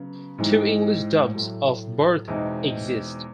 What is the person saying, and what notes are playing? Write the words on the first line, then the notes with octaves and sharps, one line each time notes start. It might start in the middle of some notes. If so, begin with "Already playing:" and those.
Two English dubs of "Birth" exist.
Already playing: C#3 F#3 B3
G#2 E3 G#3 C4 D#4
A2 F#3 A3
E2 B2 G#3 C4 D#4